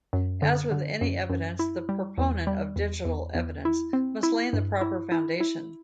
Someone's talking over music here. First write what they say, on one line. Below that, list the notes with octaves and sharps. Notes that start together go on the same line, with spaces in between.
As with any evidence, the proponent of digital evidence must lay the proper foundation.
F#2
D3
D3
F#2
F#2
E4
G3
E2
G3
E2
E2
E2
E4
C4
E4
G2
E4
E4
E4